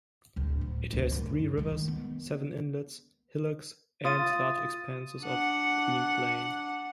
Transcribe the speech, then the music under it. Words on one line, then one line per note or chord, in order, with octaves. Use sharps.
It has three rivers, seven inlets, hillocks and large expanses of green plain.
D1 D2
A2
D2
F#2
D#3 G#3
B3
F4 D#6 A6 D#7
D4 F#5